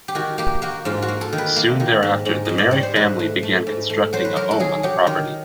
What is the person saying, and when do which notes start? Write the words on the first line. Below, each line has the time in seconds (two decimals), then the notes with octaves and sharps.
Soon thereafter, the Merry family began constructing a home on the property.
0.08 G4
0.15 D#3 F#4
0.38 A#3 G4
0.62 A#3 F#4
0.85 G#2 F4
1.02 F#4
1.08 A#3
1.21 A4
1.33 D#3
1.38 B4
1.56 A#3
1.80 D#3
2.03 G#2
2.25 G#2
2.45 G#2 D#5
2.58 D5
2.71 G3 C#5
2.83 C5
2.96 G#2 B4
3.19 A3
3.43 A3
3.67 G#2
3.90 A3
4.13 F#3 C5
4.25 B4
4.36 F#3 A#4
4.51 A4
4.60 F#3 G#4
4.83 F#3 G4
5.07 D#3